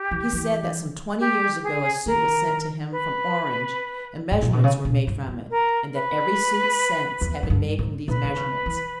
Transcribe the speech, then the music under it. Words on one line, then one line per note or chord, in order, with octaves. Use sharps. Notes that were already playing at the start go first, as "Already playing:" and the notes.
He said that some twenty years ago a suit was sent to him from Orange, and measurements were made from it, and that every suit since had been made from these measurements.
Already playing: G4
E3
E3
G4
G#4
D#3 A#4
B4
G#2
A#2
B2
C#3
B2
G2
E2
A#4
B4
E2
G#2
G2
G#2
A#2 B4
D#3
C#3
E3